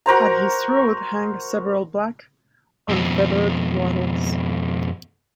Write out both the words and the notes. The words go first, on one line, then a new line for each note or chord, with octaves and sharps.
At his throat hang several black, unfeathered wattles.
F#4 A#4 C5 A#5
F2 B2